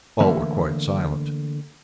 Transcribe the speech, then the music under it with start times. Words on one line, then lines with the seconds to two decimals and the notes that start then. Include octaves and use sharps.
All were quite silent.
0.20 D3 E3 A3 A#3 E5 B5